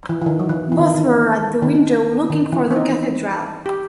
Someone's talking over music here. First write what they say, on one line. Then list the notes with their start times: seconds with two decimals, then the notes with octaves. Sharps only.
Both were at the window looking for the cathedral.
0.09 E3
0.22 E3
0.26 D#3
0.39 F#3
0.49 E3
0.72 E3
0.79 D#3
0.94 D#3
1.62 D#3
2.30 D#3
2.52 E3
2.71 C4
2.76 D#4
3.66 G4